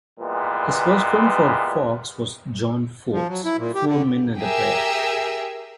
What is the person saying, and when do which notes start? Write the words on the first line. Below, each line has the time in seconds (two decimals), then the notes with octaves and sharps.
His first film for Fox was John Ford's "Four Men and a Prayer".
0.20 A#2 E3 G3 G#3 B3
3.12 F3
3.29 F#3
3.45 E4
3.58 A#2
3.75 G4
3.87 D3
4.40 G4 G#4 A#4 E5 G5